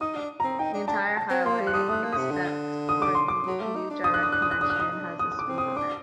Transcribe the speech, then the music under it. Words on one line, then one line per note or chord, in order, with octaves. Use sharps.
The entire highway, except for the new direct connection, has a speed limit.
D#4 D#6
D4
C4 A#5
D#4 G5
D4
D4 A5
A5
C4
A#3 C6
G3
F#6
G3 D#6
A3 D#6 F#6
A#3
C3 D#6
D3
D#6
D6
C6
D6
F#3
A3
D#4
D4
D#6
F#6
D#6
F#6
D#6
F#6
D4 D#6
F#6
D#4 D#6
D#4
D4
D#6
D#6
D6
C4
D#6
D4 D6